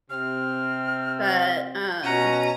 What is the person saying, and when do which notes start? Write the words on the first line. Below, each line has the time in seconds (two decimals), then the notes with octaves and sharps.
but, um,
0.10 C3 C4 F6
2.04 B2 C#4 F#5 A#5 D#7